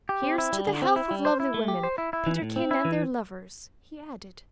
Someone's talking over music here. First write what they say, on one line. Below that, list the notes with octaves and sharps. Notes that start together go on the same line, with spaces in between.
"Here's to the health of lovely women, Peterkin--and their lovers!" he added.
G4
C4
E4
G3
D3
C4
E4
G3
C5
E4
A3
G4
C5
E4
E4
E3
A2
C4
E4
E3